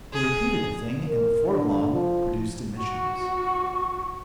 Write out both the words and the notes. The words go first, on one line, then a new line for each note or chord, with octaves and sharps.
He repeated the thing and before long produced emissions.
G#4
A#4
D3
F3
F#4 C#6